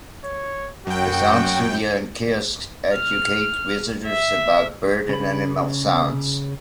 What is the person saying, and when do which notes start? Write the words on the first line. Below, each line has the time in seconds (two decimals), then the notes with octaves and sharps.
A sound studio and kiosks educate visitors about bird and animal sounds.
0.24 C#5
0.87 F#2 F#4 G5
2.95 F6
4.07 E5
5.09 C#3 B5